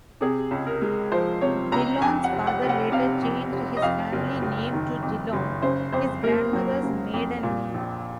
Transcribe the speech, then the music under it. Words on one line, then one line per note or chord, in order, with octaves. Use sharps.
Dillon's father later changed his family name to Dillon, his grandmother's maiden name.
C3 G#4
C#2
A#4
G#3
F3 C5
C3 C#5
C#2 A#5
F2 G#5
F#5
F1
F#5
F1
F#5
C3 F5
F2
F1
D#5
F2 F5
F#1
F#1
D#3
F2
F#1
C#3 C5
F2 C5
A#3 A#4
F#3
C#3
F2
A#2
A#1